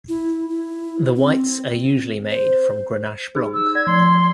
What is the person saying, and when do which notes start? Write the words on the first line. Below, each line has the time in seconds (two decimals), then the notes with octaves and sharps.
The whites are usually made from Grenache blanc.
0.08 E4
0.49 E4
1.16 C4
2.31 C5
3.35 D#4 G#4
3.54 E6
3.75 D5 G#6
3.87 F3 C6